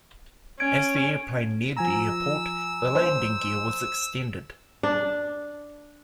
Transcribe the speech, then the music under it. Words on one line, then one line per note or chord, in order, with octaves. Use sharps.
As the airplane neared the airport, the landing gear was extended.
C#4 G#6 D7
F3 G#5 A#5 E6
C5
D4